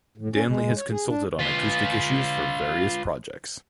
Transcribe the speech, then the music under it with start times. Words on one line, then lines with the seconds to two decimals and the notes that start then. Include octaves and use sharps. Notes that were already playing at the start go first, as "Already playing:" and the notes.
Danley has consulted on acoustic issues for various projects.
0.18 A2
0.33 C#4
0.48 G#3
0.77 C#5
0.91 G#4
1.08 D4
1.39 F4 B4